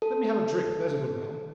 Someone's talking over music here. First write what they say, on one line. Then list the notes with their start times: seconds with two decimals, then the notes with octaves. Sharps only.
Let me have a drink, there's a good man.
0.02 A4